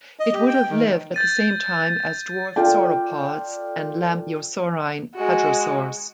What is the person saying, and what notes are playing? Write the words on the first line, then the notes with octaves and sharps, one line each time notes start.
It would have lived at the same time as dwarf sauropods and lambeosaurine hadrosaurs.
D#5
G4
G5
D#3
G6 A6 D#7
F4 A4 D5 G5
G#3 F#4